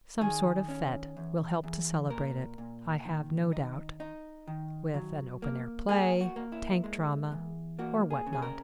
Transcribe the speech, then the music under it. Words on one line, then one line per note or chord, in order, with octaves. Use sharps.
Some sort of fete will help to celebrate it, I have no doubt; with an open-air play, tank drama, or what not.
D#3 G#4
C#4
E2
E2
A#2 A#4
A#2
D#3
D#4
D#4
D#3
F#3
A#3
A#3 G#4
F#4
A#3
E4
G#3
E2
A#3 F#4
G#4
C#3
G#4
A#4